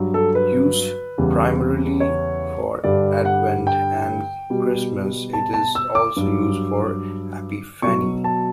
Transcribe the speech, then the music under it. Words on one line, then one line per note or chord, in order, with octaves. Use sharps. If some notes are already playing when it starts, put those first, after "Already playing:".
Used primarily for Advent and Christmas, it is also used for Epiphany.
Already playing: G2 F#3
A4
B4
E2 C#3 G3
C#5
G2 D3 G3 D5
F#5
G5
B2 G3
A5
A5
E6
D6
G2 F#3
B2 F#3 C#6
A5